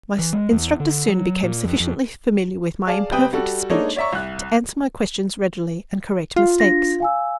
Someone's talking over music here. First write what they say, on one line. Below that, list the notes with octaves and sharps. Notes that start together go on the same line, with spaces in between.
My instructors soon became sufficiently familiar with my imperfect speech to answer my questions readily and correct mistakes.
E3
G#3
E2
D3
F#3
A#2
F2
F2
G#4 D5 F5 A5
C3 G3 C4 B4 G5 D#6
G3 F#4 A4
G#3 A#3 D4 D#4 A4 C#5
C#5 D5 E5 A#5 C#6
C2 F#6
F4 F5
D4 A#6
F5 G#5 E6